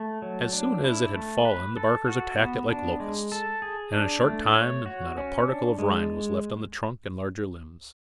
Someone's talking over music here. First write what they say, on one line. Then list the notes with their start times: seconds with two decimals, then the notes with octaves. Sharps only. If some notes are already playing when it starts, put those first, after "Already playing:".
As soon as it had fallen the barkers attacked it like locusts, and in a short time not a particle of rind was left on the trunk and larger limbs.
Already playing: A3
0.22 F#3
0.53 D4
0.84 E4
1.15 A3
1.45 B4
1.77 A4
2.08 F#4
2.39 B3
2.69 D4
3.00 G#3
3.32 A4
3.62 G#4
3.93 D4
4.24 A3
4.55 C#5
4.86 F#4
5.17 C#4
5.48 D4
5.79 G#3